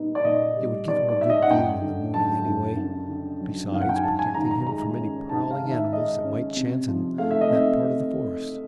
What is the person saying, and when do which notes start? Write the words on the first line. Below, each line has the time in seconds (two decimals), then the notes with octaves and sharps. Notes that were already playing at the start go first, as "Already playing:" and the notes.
It would give him a good view in the morning anyway, besides protecting him from any prowling animals that might chance in that part of the forest.
Already playing: A#2 G3 B3 D#4
0.15 D5
0.24 A#2 D#5
0.56 G3
0.88 B3 D5
1.09 D5
1.19 D#4 E5
1.30 D#5
1.42 F#5
1.51 F#2 G5
1.82 D3
2.14 F#3 A5
2.45 F#2
2.77 F#2
3.09 D3
3.40 F#3
3.72 F#2 F5
3.81 F#5
3.89 G5
3.96 G#5
4.03 G#2 A5
4.19 G#5
4.34 D#3 A#5
4.51 A#5
4.67 G#3 A#5
4.98 C#4
5.29 G#2 A5
5.51 F5
5.61 D#3
5.72 E5
5.92 G#3 D#5
6.24 C#4
6.56 C3
6.88 F3
7.18 A3 F5
7.31 E5
7.41 D#5
7.50 C4 E5